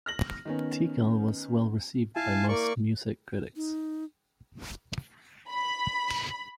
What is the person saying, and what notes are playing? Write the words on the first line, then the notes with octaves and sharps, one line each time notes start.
"Tical" was well received by most music critics.
F6 A#6 F#7
D#3 B3 C#4
E4 F5 G#5 A5
A#3 D5 C#6
D#4
B5